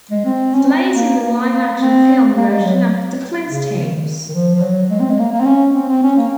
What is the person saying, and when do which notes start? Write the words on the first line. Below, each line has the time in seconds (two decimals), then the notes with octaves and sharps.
Slate in the live-action film version of "The Flintstones".
0.11 G#3
0.25 C4
0.54 C#4
0.68 C4
0.95 A#3
1.23 A#3
1.80 C4
2.37 A#3
2.50 G#3
2.65 F#3
3.50 C#3
3.77 D#3
4.29 D#3
4.34 F3
4.55 F3
4.62 F#3
4.90 G#3
5.00 C4
5.10 G#3
5.19 A#3
5.33 A#3
5.40 C4
5.47 C#4
5.75 C4
5.89 C4
6.03 C#4
6.18 A#3